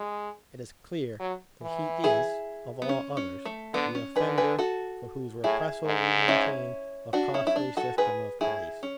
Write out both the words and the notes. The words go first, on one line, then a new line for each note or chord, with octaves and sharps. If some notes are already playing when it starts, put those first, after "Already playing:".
It is clear that he is, of all others, THE offender for whose repressal we maintain a costly system of Police.
Already playing: G#3
F#3
E3
E4 G#4
B3
C#4
C#4
A3
D3 B3
C#4
D3 G#4 B4
G#4 B4
F#4 A4
A2 E4 G#4
G#2
C#4 E4
D4 F#4
C#4 E4
E4
D4
F#4 A4
G#2 G#4 B4
A2 E4 G#4
C#4